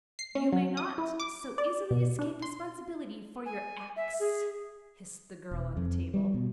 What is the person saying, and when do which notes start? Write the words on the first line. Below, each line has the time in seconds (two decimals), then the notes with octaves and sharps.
"You may not so easily escape responsibility for your acts," hissed the girl on the table.
0.19 C7
0.35 C#4
0.53 F#3
0.77 D#6
0.98 E4
1.20 D6
1.58 D5
1.91 B2
2.19 D4
2.42 C6
3.46 G#5
3.96 E5
4.20 G#4
5.51 E1
5.77 F2
6.14 G3
6.34 B2